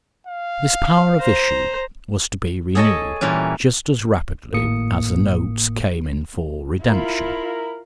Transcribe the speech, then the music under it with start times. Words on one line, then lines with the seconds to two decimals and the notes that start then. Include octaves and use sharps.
This power of issue was to be renewed just as rapidly as the notes came in for redemption.
0.27 F5
1.20 C5 A#5
2.75 G#4 A4 C#5 D#5 G#5 A5
3.21 A#2 E3 G3 C#4
4.53 G#1 A2 A#3 D#6 C#7
6.84 E4 F4 A#4 B5